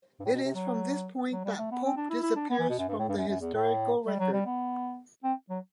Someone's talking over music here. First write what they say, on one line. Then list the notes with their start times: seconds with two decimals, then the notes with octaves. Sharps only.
It is from this point that Pope disappears from the historical record.
0.20 G2
0.25 A2
0.34 B2
0.44 C3
0.54 F#3
1.32 F#3
1.44 G3
1.59 A3
1.71 B3
1.84 C4
1.97 D4
2.10 E4
2.23 E4
2.36 D4
2.50 B3
2.59 E3
2.69 B2
2.78 F#2
2.88 G2
2.99 A2
3.09 G2
3.17 F#2
3.28 F#2
3.41 E2
3.54 A2
4.07 G3
4.19 F#3
4.33 G3
4.46 B3
5.24 C4
5.50 F#3